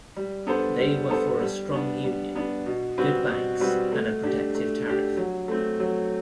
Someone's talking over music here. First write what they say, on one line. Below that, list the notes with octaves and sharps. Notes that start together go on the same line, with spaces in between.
They were for a strong Union, good banks and a protective tariff.
G3
B3 D4 A4 C5
G3
B3 D4 A4 C5
G3
B3 D4
G3
B3 D4
B2
G3 C4 F#4 B4
B2
G3 C4 F#4 B4
A3
D4 G4
A3
D4 G4
F#3
A3 C4
F#3